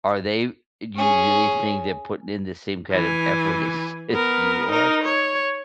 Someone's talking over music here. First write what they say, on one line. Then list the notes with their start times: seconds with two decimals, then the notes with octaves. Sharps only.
are they do you really think they're putting in the same kind of effort as as you are
0.96 C#4 G#4
2.91 E3 G#5
4.12 B3 A#4
4.69 D#4 A#4
5.04 C#5